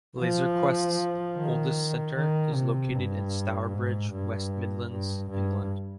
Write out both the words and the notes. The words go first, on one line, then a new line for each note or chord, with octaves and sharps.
Laser Quest's oldest centre is located in Stourbridge, West Midlands, England.
F3
D#3
D#3
C3
G2
G#2
G2
G2
G2